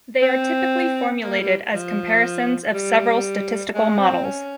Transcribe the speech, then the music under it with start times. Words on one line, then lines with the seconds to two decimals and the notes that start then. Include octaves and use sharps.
They are typically formulated as comparisons of several statistical models.
0.22 C4
1.23 A#3
1.40 G3
1.73 F3
2.74 G3
3.74 G#3
3.99 C4
4.24 C#4